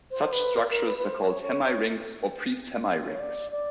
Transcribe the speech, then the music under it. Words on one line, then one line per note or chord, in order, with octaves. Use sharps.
Such structures are called "hemirings" or "pre-semirings".
C5
B4
A#4
A#4
B4
B4
C5
C#5
C#5
C#5
C#5
D5
D5